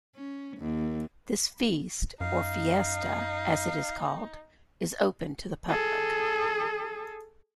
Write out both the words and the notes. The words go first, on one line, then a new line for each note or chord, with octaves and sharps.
This feast, or "fiesta", as it is called, is open to the public.
C#4
D#2
F#2 D#4 F5
G#4 A4